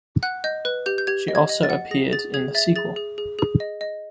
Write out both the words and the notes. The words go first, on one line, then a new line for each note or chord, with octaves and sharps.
She also appeared in the sequel.
F#5 F#6
D#5 G6
B4 F#6
G4 G6
G6
G4 G#6
D#5
G#6
D#5
A6
F#5
G#4 A#6
G#4 A6
G#4 G#6
E5 A6
G#4 A6
G#4
G#4
G#4
D#5
D#5